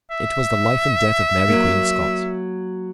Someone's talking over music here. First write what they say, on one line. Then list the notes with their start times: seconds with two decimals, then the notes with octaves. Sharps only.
It was the life and death of Mary Queen of Scots.
0.10 E5
1.48 F#3 A#3